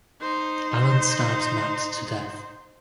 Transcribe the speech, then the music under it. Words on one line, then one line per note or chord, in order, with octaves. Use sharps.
Alan stabs Matt to death.
D#4 C5